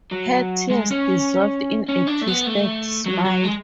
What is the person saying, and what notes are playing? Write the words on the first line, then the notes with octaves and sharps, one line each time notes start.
Her tears dissolved in a twisted smile.
F#3
G#3
C#4
C#4
D4
A3
B3
A3
F#3
F#3
G#3